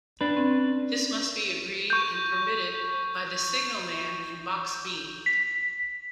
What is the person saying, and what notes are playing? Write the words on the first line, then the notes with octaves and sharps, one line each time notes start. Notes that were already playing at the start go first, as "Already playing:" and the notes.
This must be agreed and permitted by the signalman in box B.
D4 B4
C4 C#4
C#6 G6
B6